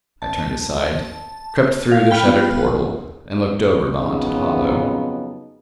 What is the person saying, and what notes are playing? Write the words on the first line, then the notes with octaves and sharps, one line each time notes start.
I turned aside, crept through the shattered portal and looked over the haunted hollow.
A5
F5
G5 B5 F6
B3 F4
F2 C#3 F#3 B3 D#4